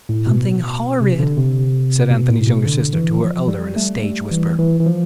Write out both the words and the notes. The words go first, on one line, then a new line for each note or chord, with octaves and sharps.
"Something horrid," said Anthony's younger sister to her elder in a stage whisper.
A2
B2
C3
D3
C3
B2
A2
B2
D3
E3
F3
G3
A3
G3
E3
E3
E3
F3